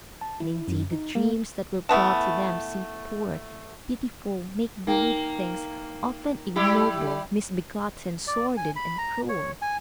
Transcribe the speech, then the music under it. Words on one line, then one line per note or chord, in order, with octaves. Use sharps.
And, indeed, the dreams that were brought to them seemed poor, pitiful, make-believe things, often ignoble, misbegotten, sordid, and cruel.
A5
E4
F#2
D#4
A#3
E3 A3 B3 A5
A#3 D#4 A#4 G5
G3 E4 G4
D5
G#5
B5
A#5
C#5
G#5